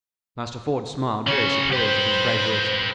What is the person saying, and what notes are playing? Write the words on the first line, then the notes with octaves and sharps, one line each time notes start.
Master Ford smiled very superior to these brave words.
C#3 F#4 C#5
G4 B4 C5